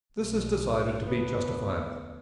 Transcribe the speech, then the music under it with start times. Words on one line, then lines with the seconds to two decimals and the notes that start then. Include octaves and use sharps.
This is decided to be justifiable.
0.19 B1
1.02 D2 B3